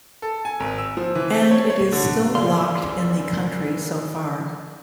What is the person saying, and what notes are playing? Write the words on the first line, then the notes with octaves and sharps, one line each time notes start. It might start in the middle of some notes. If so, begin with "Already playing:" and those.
And it is still blocked in the country so far.
A4
G#5
G#1
E6
F3
E3
C4
C#5
C#5
D3
E2 G#2 C#3 A#4 D5 F5 C6 E6